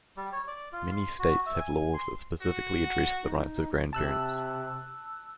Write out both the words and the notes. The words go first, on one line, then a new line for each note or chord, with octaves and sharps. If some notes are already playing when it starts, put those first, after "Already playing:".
Many states have laws that specifically address the rights of grandparents.
G3
C#5
D5
F4
C6
F#4
E5
G#5
C6
F#4
F#5
D#4
C3 A5 E6 F#6